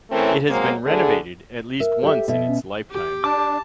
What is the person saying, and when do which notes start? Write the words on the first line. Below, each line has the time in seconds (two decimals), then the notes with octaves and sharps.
It has been renovated at least once in its lifetime.
0.11 A2 E3 A3 C4 C#4 A#4
0.49 F#3 G#3 A#3 C4
0.86 D2 D3 G#4
1.80 A#4 E5
2.03 G4 A4 E5
2.28 B2 E5
2.49 C#4
2.91 G4
3.24 D4 A5 D6